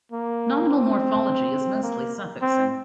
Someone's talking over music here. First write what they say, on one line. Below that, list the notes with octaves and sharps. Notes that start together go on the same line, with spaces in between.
Nominal morphology is mostly suffixing.
A#3
C4
A#3
C4